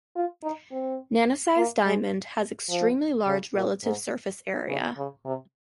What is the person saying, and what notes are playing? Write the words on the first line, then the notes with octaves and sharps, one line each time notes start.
Nanosized diamond has extremely large relative surface area.
F4
D#4
C4
A#3
G#3
F3
C#3
A#2
G#2
C#3
C#3
C3